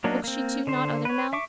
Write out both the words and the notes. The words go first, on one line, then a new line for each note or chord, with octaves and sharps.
Looks she too not other now?
F#3 A#3 D4 D#4
A#3 C4
D3 C5
B4 C#5
E5 C#6 D6